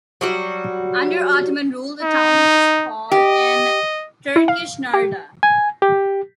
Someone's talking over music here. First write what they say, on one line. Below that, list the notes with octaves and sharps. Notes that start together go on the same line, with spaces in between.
Under Ottoman rule, the town was called in Turkish "Narda".
F#3 G3 F#4
D#4
G4 D#5
E4
F5
G4
G#5
G4